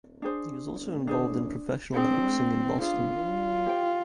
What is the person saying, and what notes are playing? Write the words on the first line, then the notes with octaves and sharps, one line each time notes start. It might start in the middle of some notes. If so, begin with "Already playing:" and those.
He was also involved in professional boxing in Boston.
D4 G#4 C5
D4 G#4 C5
C4 D4 G#4 C5
D4 F4 G#4 C5
G4 C5 G5